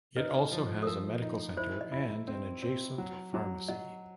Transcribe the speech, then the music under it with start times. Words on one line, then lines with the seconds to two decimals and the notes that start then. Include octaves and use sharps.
It also has a Medical Centre and an adjacent Pharmacy.
0.17 D#4 B4
0.52 F3
0.83 A4
0.87 F3 A#4
1.22 D#4
1.57 E4 C5
1.81 D#5
1.92 E4
2.28 C4
2.62 C4
2.98 F#3
3.34 F#3
3.68 F#3 D#5